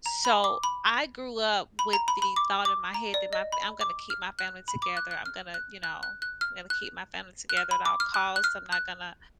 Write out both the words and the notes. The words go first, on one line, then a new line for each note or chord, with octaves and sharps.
So I grew up with the thought in my head that my fa I'm gonna keep my family together. I'm gonna, you know, I'm gonna keep my family together at all costs. I'm not gonna
A#5
B5
D6
B5
B5
A#5
B5
B5
D6
D6
A#5
D5
D#5
B5
D6
F6
F#6
B5
D6
F#6
F#6
F6
F#6
F#6
F#6
F#6
F6
F#6
F#6
F6
B5
D6
F6
F#6
F#6
F6
F#6